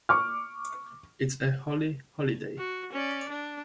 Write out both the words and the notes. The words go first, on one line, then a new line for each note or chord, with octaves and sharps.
It's a Holi-Holiday.
C#6 D6 F6
F#4
C#4 D5
D4